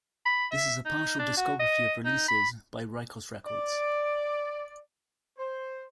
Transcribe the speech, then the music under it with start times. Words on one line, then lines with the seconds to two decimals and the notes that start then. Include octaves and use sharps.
This is a partial discography of releases by Rikos Records.
0.26 B5
0.51 E5
0.85 D#4
1.19 D4
1.37 F#4
1.60 D#5
2.05 D#4
2.28 B5
3.47 D5
5.38 C5